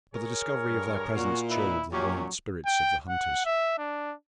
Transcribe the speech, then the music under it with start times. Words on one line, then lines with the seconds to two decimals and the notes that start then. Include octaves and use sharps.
But the discovery of their presence chilled the buoyant spirits of the hunters.
0.14 G#4 A#4 C#5
0.69 G2
1.15 A#2 F#4
1.50 D#4 E4 B4 E5
1.92 F#2 A#2 F#3 C#4 G4 C#5
2.66 G5
3.09 F#5
3.46 E5
3.78 D4